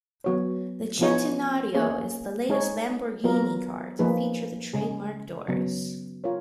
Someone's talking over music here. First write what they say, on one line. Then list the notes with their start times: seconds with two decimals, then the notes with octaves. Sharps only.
The Centenario is the latest Lamborghini car to feature the trademark doors.
0.24 F#3 B3 F#4 C#5
0.99 F3 B3 F4 G#4 C#5
1.74 A#3 C#4 G#4 C#5
2.49 G#3 D#4 G#4 C#5
3.24 F#3 B3 F4 A#4
3.99 F3 A#3 D#4 G#4 B4
4.73 C#3 G#3 C#4 G#4
5.48 C#3 F#3 B3
6.24 F4 A#4 C#5